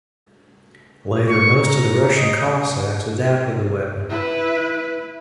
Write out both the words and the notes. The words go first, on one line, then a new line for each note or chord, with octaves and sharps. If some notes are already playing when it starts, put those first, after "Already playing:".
Later most of the Russian Cossacks adopted the weapon.
C#6
A#5
D#5
E4 B4